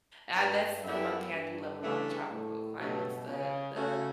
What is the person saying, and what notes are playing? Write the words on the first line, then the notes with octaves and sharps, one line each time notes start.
ah, that's the one thing I do love about the tropical climates, the the
G2
F#2 G3 B3 E4 A4 E5
G2
G2 C#3 E3 A3 D4
A2
G2 B2 F#3 A3
C#3
C#3 A3 C#4 F#4